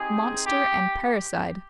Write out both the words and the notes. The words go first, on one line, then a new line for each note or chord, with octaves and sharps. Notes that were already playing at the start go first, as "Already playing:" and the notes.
Monster and parricide!
Already playing: C4 D#4 G4 G#4
G4